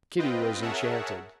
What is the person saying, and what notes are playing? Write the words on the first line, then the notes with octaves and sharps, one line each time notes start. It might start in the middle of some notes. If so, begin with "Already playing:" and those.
Kitty was enchanted.
C4 F4 B4 D#5 G5
G#4 A#4 C#5 E5 F#5 A5